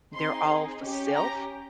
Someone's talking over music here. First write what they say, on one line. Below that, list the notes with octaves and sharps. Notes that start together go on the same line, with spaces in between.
they're all for self,
C4 D#4 G#4 C6
C#4 G4
A#5